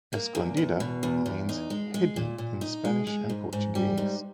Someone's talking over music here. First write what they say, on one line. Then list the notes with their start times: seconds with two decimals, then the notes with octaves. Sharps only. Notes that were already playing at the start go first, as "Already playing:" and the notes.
"Escondida" means "hidden" in Spanish and Portuguese.
0.13 A#3
0.35 E2
0.57 E2
0.80 B2
1.03 E2
1.26 E2
1.49 D#4
1.70 G#3
1.94 G#3
2.16 A#2
2.38 A#2
2.61 D#4
2.85 G#3
3.07 G#3
3.30 G#2
3.53 G#2
3.75 G3
3.98 G#2